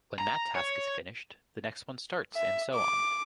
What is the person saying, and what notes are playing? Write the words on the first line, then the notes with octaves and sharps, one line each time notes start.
When that task is finished, the next one starts and so on.
A#5
C#5
E5
D6